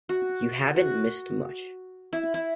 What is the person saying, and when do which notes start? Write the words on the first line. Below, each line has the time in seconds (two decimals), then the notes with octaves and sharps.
You haven't missed much.
0.09 F#4
0.76 F#4
2.13 E4
2.34 E4